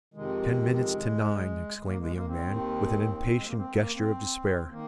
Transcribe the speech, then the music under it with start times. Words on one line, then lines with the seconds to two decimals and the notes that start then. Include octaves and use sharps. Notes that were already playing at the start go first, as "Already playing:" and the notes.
"Ten minutes to nine!" exclaimed the young man, with an impatient gesture of despair.
0.14 F2 C3 D#3 G#3
0.71 G#3
1.85 A#3
1.99 G#3
2.13 A#3
2.27 C4
2.42 D#2 D#3
3.35 G#3
3.45 A#3
3.56 C4
3.75 A#3
3.94 C4
4.70 D#3 A#3